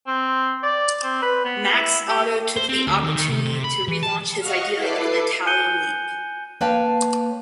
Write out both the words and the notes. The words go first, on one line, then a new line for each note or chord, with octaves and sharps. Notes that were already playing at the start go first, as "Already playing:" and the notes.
Max Otto took the opportunity to relaunch his idea of an Italian league.
C4
D5
C4
B4
B3
E4
G4
C5
C4
D2
D#3
D#3
C3
C3
B5
E3
A5
D#5 F5 F#5 C#6 F6
E4 A4 B4 D6 C7
G#5 F#6 G6 C#7 D#7 G7
A#3 B4 C#5 F5 G5 A5